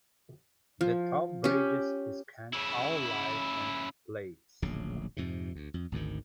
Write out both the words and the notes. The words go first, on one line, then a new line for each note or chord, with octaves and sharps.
The toll bridges scan all license plates.
F3
C#4 G4
C#3 E4
D1 A#1 C#3
F2 G#2 C3
D2
F2
G#1 D2 G#2 D#3